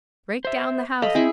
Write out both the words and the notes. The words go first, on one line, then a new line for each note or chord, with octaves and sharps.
Break down the house.
C5 E5
A4 D#5 F5 B5
C4 E4 G#4